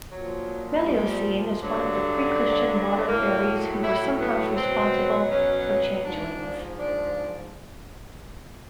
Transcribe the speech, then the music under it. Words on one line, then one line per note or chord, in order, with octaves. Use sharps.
Melusine is one of the pre-Christian water-faeries who were sometimes responsible for changelings.
A#2 F3 F#3
G3
G2 D3 F#3
A2 F#3 A#3
E4
B3
B2 F#3 C4
C#4
G#2 F3 D4
D4